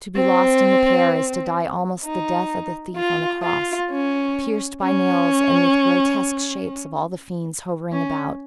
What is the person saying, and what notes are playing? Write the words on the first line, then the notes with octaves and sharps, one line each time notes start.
To be lost in the pear is to die almost the death of the thief on the cross, pierced by nails and with grotesque shapes of all the fiends hovering about.
C4
D#4
F4
F4
C#4
C#4
C#4